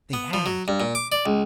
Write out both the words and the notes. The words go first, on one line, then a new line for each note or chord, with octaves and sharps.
They had!
B3
F3
F#3
G2
A#2
D6
D5
C#2